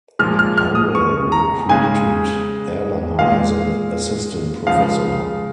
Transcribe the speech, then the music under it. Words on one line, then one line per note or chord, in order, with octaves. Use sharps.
Howell recruited Erlanger as an Assistant Professor.
A#2 F3 G#3 F6
F6
F6
D#6
C#6
A#5
C#3 G#3 G#5
A#2 G#3 F5
C#3 F3 G#3 F5